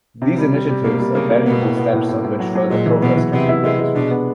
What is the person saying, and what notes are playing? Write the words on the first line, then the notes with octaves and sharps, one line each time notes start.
These initiatives are valuable steps on which further progress can be built.
C3
G3
G3
G3
B2 A#3
G3
C#3 A#3
A#3
B2 B3
A2
B3
A2
A2
A2
F#3
F#3
A#2 G#3
E3
B2 B3
E3
C3 B3
E4
C3 G#3
G#3
B2 D4
B3